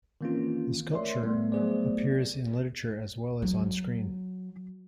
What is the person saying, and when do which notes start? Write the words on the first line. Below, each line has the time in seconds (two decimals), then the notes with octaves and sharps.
The sculpture appears in literature as well as onscreen.
0.21 D#3 E3 A#3 C4 C#4 F4
0.91 A3 A#4 C#5 D5 E5 C6
1.23 A2 G3 A3 B3
1.52 F#3 A3 B3 G#4 C5 D5
3.42 F#3